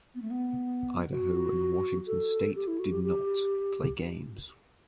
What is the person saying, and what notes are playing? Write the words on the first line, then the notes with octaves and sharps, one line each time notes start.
Idaho and Washington State did not play games.
B3
A3
B3
F#4
A4
G4
E4
F#4
G4
G4